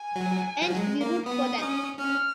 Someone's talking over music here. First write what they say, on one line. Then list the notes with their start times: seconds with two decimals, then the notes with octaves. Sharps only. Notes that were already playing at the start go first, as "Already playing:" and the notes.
And we root for them.
Already playing: G#5
0.15 F#3
0.62 F3
0.70 F#3
0.76 G#3
1.01 A#3
1.26 B3 D#6
1.58 D#4
1.63 C#4
1.99 C#4 F6